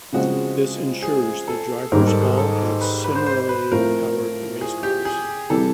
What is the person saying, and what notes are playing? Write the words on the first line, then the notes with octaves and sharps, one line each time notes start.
This ensures that drivers all have similarly powered racecars.
C#3 F3 G#3 C4 F#4
G#4
A4
G#2 D#3 G3 A#4
A4
G#4
A4
B4
B4
C5
C5
B4
A2 F3 A3 C4 F4 A#4
G#4
G4
G#4
C3 E3 G3 A4